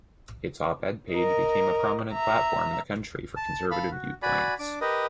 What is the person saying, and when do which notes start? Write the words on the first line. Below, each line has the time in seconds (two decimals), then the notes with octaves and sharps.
Its op-ed page became a prominent platform in the country for conservative viewpoints.
1.13 A#4 D#5
2.13 E5 A#5
3.36 A5
3.71 A4 F5 B5
3.91 F#4
4.22 F#4 D5 G#5 B5
4.59 D4 D6
4.81 G4 A#4 B4 D#5